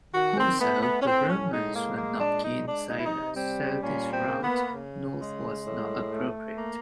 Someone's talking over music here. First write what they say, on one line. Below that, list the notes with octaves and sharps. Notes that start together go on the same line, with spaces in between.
Also, the Romans were not keen sailors, so this route north was not appropriate.
D#3 F#4
C4
A3 B3
B3
C#4
A2 C4
C#4
G#3 D#4
A#3
A#2 A#3
D4
G#3 D#4
D4
C3 D#4
E4
D#4
G3 C4
A#2 C#4
C4
A#3
B3
C#3
G#3
A2
A3
A#3